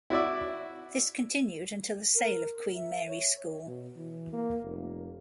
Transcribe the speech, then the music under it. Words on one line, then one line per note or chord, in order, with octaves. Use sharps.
This continued until the sale of Queen Mary School.
E4 F#4 D5 E5
A#4
E5
C#5
B2
E3
A#3
F1